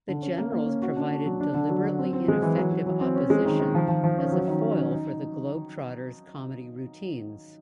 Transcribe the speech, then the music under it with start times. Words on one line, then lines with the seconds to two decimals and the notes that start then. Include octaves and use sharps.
The Generals provided deliberately ineffective opposition as a foil for the Globetrotters' comedy routines.
0.08 D3
0.22 C#4
0.38 A#3
0.52 A#3
0.66 C#4
0.82 F#4
0.97 D4
1.11 D4
1.26 F#3
1.40 D4
1.54 D3
1.70 F#3
1.84 F#3
1.99 C4
2.13 C4
2.28 G#3
2.42 E3
2.57 F#3
2.72 F#3
2.86 F#3
3.01 C4
3.16 C#4
3.30 G#3
3.45 D#3
3.60 D#3
3.75 F3
3.88 F3
4.04 F3
4.18 C#4
4.32 F#3
4.48 D#3
4.61 C#4
4.77 C#4
4.91 D#4